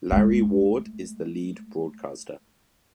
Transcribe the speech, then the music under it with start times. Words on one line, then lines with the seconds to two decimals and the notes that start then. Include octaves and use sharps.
Larry Ward is the lead broadcaster.
0.12 G#3 A3